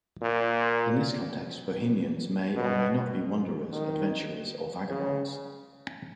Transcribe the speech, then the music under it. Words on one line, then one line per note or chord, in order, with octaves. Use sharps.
In this context, Bohemians may or may not be wanderers, adventurers, or vagabonds.
A#2
B2
D#3
C#3